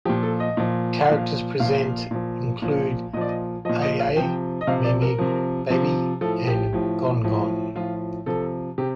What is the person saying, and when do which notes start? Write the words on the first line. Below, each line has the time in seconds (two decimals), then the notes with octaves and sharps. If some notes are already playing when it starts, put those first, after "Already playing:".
Characters present include AiAi, MeeMee, Baby, and GonGon.
0.05 A#2 F3 G4
0.23 A4
0.40 D#5
0.57 A#2 F3
1.08 A#2 F3 F5
1.59 A#2 F3 F5
2.11 A#2 F3
2.62 A#2 F3
3.13 A#2 D#5
3.17 F3 D5
3.29 D#5
3.65 F3 D#5
3.69 A#2
3.82 D#5
4.00 F5
4.16 C3 F3 G5
4.61 D#5
4.67 C3 F3 F5
4.84 D5
5.02 A#4
5.18 C3 F3
5.70 C3 F3
6.21 A2 F3 A4
6.47 G4
6.73 A2 F3
7.24 A2 F3
7.75 A2 F3 F4
8.26 C3 F3 A4
8.78 C3 G4